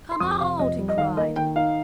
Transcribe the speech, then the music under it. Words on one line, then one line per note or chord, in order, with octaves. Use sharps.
"Come out!" he cried.
C6
F2 D#6
C3 F5
F2 D#5
G3
D#5
D#3 F5
A#3 D#5
D#3 G5
D#4 F5